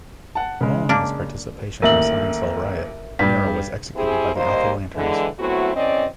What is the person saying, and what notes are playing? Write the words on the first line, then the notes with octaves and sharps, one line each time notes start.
Following his participation in a Sciencell riot, Nero was executed by the Alpha Lanterns.
F#5 A5
C#3 G#3
A#3 D4
A1 D#2 A#4 E5 E6 F#7
G2 G3 B6
C4 E4 G4 G#4
D#2 G3 A#3 C5 D#5
D3 E3 G#3
F#3 A3 B3 C4 E4 F#4
E2 C4 C#4 D5 D#5